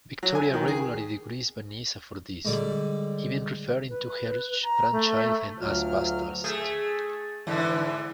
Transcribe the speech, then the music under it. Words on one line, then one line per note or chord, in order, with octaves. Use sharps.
Victoria regularly degrades Vanessa for this, even referring to her grandchildren as "bastards".
F#3
G#5
D#3
G#4
G#2 D3 G3
B4
A#5
A3
D2 F#3 F4 F6
A3 G#4
G#2 D3 E3